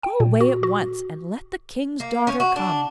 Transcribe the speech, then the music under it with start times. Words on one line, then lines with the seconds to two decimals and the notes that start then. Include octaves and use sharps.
Go away at once, and let the King's daughter come.
0.03 G5
0.20 A#2
0.41 F#4
0.63 F#4
2.00 A#3
2.27 C#4
2.40 F#4
2.56 D4